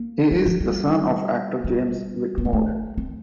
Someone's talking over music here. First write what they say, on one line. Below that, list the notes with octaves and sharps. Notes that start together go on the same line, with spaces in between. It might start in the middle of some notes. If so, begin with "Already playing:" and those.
He is the son of actor James Whitmore.
Already playing: A#3
G3
F3
G3
G3
C4
A#3
A3
C4